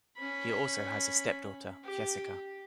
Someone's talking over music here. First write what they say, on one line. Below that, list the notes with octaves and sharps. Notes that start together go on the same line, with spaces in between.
He also has a step-daughter, Jessica.
C#4 B5
G4